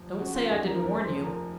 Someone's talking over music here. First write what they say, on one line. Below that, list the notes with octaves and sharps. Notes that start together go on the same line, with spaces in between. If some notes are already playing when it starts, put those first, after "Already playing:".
Don't say I didn't warn you.
Already playing: F1 D#2 F3
C#3 F#4
F4
D#2 F#4
A#4
F1 A#4
C5
F3
A#4